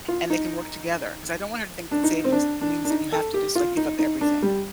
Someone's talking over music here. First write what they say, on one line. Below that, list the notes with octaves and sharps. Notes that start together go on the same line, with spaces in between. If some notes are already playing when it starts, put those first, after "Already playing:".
and they can work together ‘cause I don't want her to think that savings means that you have to just, like, give up everything.
F4
D#4
D4
D#4
C4
D4
D4
D4
D#4
A4
G4
F4
D#4
D#4
D4
G3